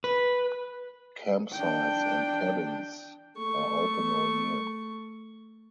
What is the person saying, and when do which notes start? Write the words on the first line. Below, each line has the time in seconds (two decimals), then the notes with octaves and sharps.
Campsites and cabins are open all year.
0.04 B4
1.53 D4 G5
3.38 A3 C#6